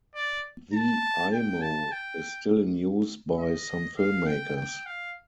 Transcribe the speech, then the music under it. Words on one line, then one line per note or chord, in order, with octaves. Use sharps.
The Eyemo is still in use by some filmmakers.
D5
A5
G5
A5
G5
D#5
F5
G5
G5
F5